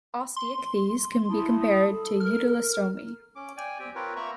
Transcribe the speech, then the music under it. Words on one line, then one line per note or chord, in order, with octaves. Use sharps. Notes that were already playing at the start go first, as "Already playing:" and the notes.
Osteichthyes can be compared to Euteleostomi.
C6
E4 A5 B5 D#6
A4
A#4 F6
C#4 D6
D5 G5 G#5
C4 G4 G5
C4 F4 A#4 B4 C#5 G5
A#3 E5 F#5 A#5 B5 C#6